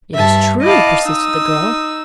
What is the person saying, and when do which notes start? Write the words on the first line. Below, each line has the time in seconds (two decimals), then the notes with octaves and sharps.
'It is true,' persisted the girl.
0.15 G2 E5 A5
0.63 E4 D#5 F5 A5 D6
1.03 D#4 D#6 E6